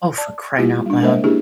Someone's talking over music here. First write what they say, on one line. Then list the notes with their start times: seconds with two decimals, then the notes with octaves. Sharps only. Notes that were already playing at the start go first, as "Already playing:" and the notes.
Oh, for crying out loud.
0.18 D5 A5
0.59 G3 A#3 E4 F4 G4
0.86 G3 D4
1.01 G#3 A#3 A#4 C5 D#5 E5
1.24 A#3 C#4 D4 E4 G4 G#4